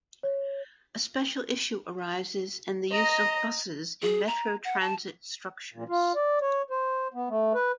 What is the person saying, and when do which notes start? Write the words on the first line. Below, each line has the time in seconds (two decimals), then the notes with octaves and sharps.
A special issue arises in the use of buses in metro transit structures.
0.23 C#5
2.92 D#5 A#5
4.02 G#4
4.27 A#5
4.64 F#5
4.81 A5
5.74 A#2
5.89 F4
6.15 D5
6.41 C#5
6.70 C5
7.14 B3
7.29 A3
7.54 B4